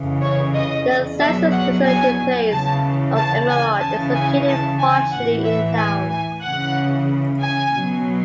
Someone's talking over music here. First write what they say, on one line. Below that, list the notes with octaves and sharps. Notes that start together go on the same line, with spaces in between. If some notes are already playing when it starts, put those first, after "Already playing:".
The census-designated place of Emerald is located partially in the town.
Already playing: C#3 E3
C#5
D#5
B2 F#3 E5
F#5
G#5
C#3 E3 A5
A5
G#5
C#3 E3 A5
G#5
A5
G#5
A2 E3 F#5
E5
G#5
G#5
C#3 E3 F#5
G#5
B2 F#3